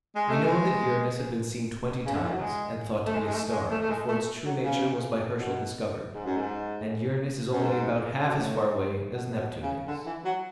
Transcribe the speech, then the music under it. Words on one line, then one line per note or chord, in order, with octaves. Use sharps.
We know that Uranus had been seen twenty times, and thought to be a star, before its true nature was by Herschel discovered; and Uranus is only about half as far away as Neptune is.
G#3
A3
G#3
C#3
D3
E3
F#3
G#3
A3
G#3
G#3
A3
G#3
A3
A3
G#3
A3
F#3
C#3
B2
G#2
F#2
G#2
F#2
G#2
B2
A2
B2
A2
B2
C#3
D3
E3
F#3